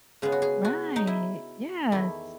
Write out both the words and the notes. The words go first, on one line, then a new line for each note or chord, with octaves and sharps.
Right. Yes.
C#3 G#3 B3 G#4
F#4
G#4
F#4
D#4
E4
E2 D#3 A3 E4